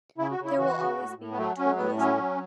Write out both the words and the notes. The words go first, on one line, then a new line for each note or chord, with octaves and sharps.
There will always be pictorialism.
C#3 E4
F#4
C#3
E4
E3 F#4
C#3
A2
A2
B3
F#3 A3
F#3 C#4
A2 B3
F#3 C#4
F#3